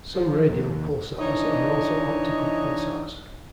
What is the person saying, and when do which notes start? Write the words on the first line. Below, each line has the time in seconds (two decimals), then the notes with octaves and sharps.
Some radio pulsars are also optical pulsars.
0.14 F3
0.48 D#2
1.20 E3 D4 D#4 C#5 D#5